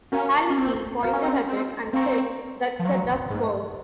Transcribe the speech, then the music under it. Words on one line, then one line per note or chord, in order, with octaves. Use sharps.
Halicki pointed at it and said, That's the dust bowl.
C#4 F#4 A#4 F5
C#4
C4
F#4 A#4 F5
C#4
C4
C#4
C4
C4 C5 F5 A#5 C#6
F3
F#3 C5 F5 A#5 C#6
G#2